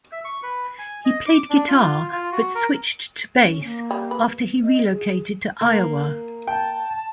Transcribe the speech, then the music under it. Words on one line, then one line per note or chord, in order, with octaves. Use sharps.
He played guitar but switched to bass after he relocated to Iowa.
E5
C#6
B4
G#5
D#5
D6
D4
F4
F4
F#4
A#4
C#4
A#3
G3
B4
D#5
G#4
A#3
G5 A5